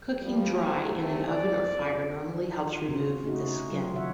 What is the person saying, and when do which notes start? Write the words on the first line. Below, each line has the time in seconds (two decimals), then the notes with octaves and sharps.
Cooking dry in an oven or fire normally helps remove this skin.
0.22 F3 G3
0.86 E2 C3 A3
1.27 F2 D5
2.72 F4
2.89 A#2 C#3 C4 C#4 F#4
3.23 A3 C#4 D#4 F#4
3.71 F#3 F4
3.95 D#3 C#5 E5 F#5